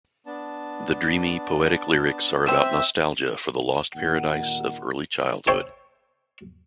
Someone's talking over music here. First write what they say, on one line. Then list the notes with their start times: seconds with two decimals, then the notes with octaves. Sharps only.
The dreamy, poetic lyrics are about nostalgia for the lost paradise of early childhood.
0.26 B3 D4 A5
2.48 C4 E5
3.94 D#2 A#2 D3 D#4 A#4 F#5
5.47 C5 C#5 E5 G5 A5